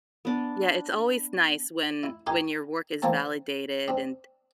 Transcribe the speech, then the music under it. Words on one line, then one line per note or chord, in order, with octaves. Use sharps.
yeah, it's always nice when when your work is validated and
B3 D4
E4
D#4 G4 A#4 G#5 C6
E3 A#3 C4 A#4 A5
C4 D4